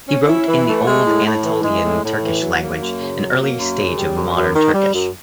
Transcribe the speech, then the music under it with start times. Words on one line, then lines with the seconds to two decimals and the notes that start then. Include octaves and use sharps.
He wrote in the Old Anatolian Turkish language, an early stage of modern Turkish.
0.08 C#4
0.28 E4
0.48 E3
0.67 A3
0.87 G#3
1.05 A2
1.25 A2
1.44 E3
1.63 G#3
1.83 A2
2.03 A2
2.22 E3
2.42 F#3
2.62 A#3
2.81 F#2
3.00 C#3
3.20 F#3
3.39 A#3
3.58 F#2
3.77 C#3
3.97 G3
4.16 F#2
4.35 F#2
4.55 D#3
4.74 G3
4.94 F#2